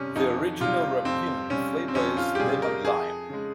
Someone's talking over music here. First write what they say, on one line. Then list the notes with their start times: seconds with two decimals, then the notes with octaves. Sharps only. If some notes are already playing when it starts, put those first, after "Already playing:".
The original ramune flavor is lemon-lime.
Already playing: F2 C3 G3 C#4
0.16 F2 D#4
0.61 C3 G3 F4
1.05 F2 C4
1.50 C3 G3 C#4
1.88 C4
1.95 F2 C#4
2.17 F4
2.35 G4
2.40 C3 G3 G#4
2.62 A#4
2.84 F2 G#4
3.29 C#3 G#3